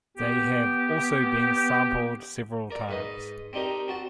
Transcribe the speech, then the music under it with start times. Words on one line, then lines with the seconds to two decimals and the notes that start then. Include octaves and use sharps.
They have also been sampled several times.
0.17 B3 G4
2.71 A#4 D5
2.89 G#2 B4 D#5
3.53 C4 D4 D#4 G4 A#4
3.88 C4 F#4 A5